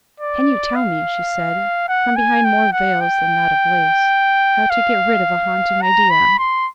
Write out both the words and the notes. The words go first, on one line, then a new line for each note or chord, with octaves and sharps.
"Can you tell me," she said, from behind more veils than that of lace, "how to get rid of a haunting idea?"
D5
F5
F#5
G#5
G5
F#5
G5
F5
A#5
B5
C6